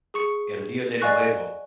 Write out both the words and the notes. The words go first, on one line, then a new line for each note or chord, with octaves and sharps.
el dios de nuevo.
G#4 C#6 C#7
D5 D#5 F5 G#5 C#6 F#6